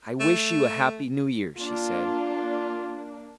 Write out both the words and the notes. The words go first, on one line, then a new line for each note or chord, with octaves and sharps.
"I wish you a happy New Year," she said.
A3
A#3 D4 F4